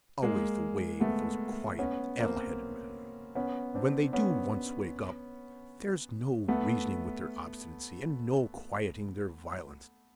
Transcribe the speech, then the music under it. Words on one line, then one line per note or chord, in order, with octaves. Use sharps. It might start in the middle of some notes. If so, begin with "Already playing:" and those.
It's always the way with those quiet addle-headed men: when they do once wake up, there's no reasoning with their obstinacy, and no quieting their violence.
G#3 A#3
A3 B3
B3 C#4
A#3 C4
B3 C#4
C4 D4
B3 C#4
A3 B3